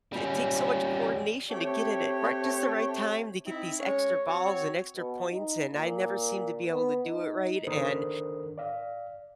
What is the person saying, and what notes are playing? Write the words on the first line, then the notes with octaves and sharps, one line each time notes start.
it takes so much coordination to get it at right just the right time to get these extra balls, and extra points, and I never seemed to be able to do it right, and
G3 C#4
A3 C4 G4 C#5
C4 D#4 E4
G#3 C#4 C#5
C4 F#4 C#5
B2
D#4
A#2
B3
D#4
D#3 D4 A4 A#4 C5 D#6
D5 F5